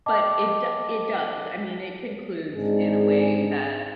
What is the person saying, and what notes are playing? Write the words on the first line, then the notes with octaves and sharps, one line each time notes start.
But it do it does. I mean, it concludes in a way that
D#5 G5 A5 D6
G#2 C4 D4 D#4 G#4